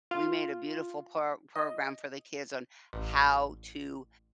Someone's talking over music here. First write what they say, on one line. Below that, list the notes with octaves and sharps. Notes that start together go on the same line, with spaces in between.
we made a beautiful pro program for the kids on how to,
F4
D#5
A1